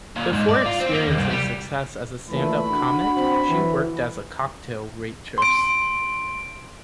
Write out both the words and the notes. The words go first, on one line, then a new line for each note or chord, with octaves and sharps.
Before experiencing success as a stand-up comic, she worked as a cocktail waitress.
A#2
G#2
D5
F4
C4
A#3
D#2
C2
G3
A#2 E3 A3 B5
D4 F#4
C4
E3
C6 D7